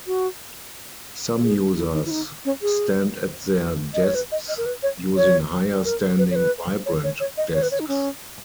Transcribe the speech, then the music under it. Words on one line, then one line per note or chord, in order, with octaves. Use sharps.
Some users stand at their desks using higher standing vibrant desks.
F#4
G#4
E4
D#4
E4
D#4
C#4
G#4
D#5
C#5
B4
D#5
D#5
A#4
B4
C#5
C#5
A#4
B4
C#5
B4
C#5
C#5
C#5
D#5
C#5
B4
C#5
D#4
C#4